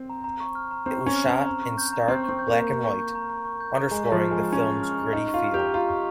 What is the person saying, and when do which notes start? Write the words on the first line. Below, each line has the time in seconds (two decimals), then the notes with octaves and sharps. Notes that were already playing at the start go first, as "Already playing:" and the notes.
It was shot in stark black-and-white, underscoring the film's gritty feel.
Already playing: C4
0.10 A#5
0.24 A#5
0.40 C#6
0.55 F6
0.71 A#5
0.86 C4 A#5
1.01 C#6
1.07 C#4
1.16 F6
1.26 C4 A#5
1.46 A#5
1.63 C#6
1.78 G6
1.93 A#5
2.08 C4 A#5
2.23 C#6
2.29 C4
2.39 G6
2.48 A#3 A#5
2.69 A#5
2.85 C#6
2.99 G6
3.15 A#5
3.30 A#5
3.45 C#6
3.60 G6
3.76 A#5
3.91 G#3 A#5
4.06 C#6
4.12 F3
4.21 F6
4.31 G#3
4.36 A#5
4.51 C#4 A#5
4.67 C#6
4.83 F6
4.98 A#5
5.12 D#4 A#5
5.29 F4 C#6
5.44 F6
5.54 G4 A#5
5.74 F4 A#5
5.89 C#6